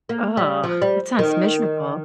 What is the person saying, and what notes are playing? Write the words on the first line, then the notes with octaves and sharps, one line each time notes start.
Ugh, that sounds miserable.
A#3
G3
F3
G3
D#3